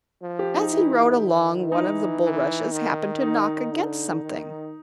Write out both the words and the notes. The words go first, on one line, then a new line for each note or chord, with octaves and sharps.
As he rode along one of the bulrushes happened to knock against something.
F3
G4
D#4
E3 E4
D#3
E3 D#4
E3
D#3
D#4
D3
D#3